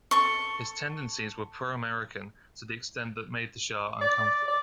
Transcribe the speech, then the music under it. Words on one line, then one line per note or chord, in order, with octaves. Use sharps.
His tendencies were pro-American to the extent that made the Shah uncomfortable.
A4 C#6
D5
D5